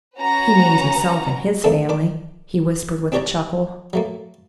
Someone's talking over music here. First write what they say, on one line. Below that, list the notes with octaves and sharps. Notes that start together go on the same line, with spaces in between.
"He means himself and his family," he whispered with a chuckle.
C#4 F#4 B4 A#5
D#3 A3 A#3 C4 D4 A4
D#3 D4 D6
C4 D4 G4 C#5 D5 A#5
F#3 A3 A#3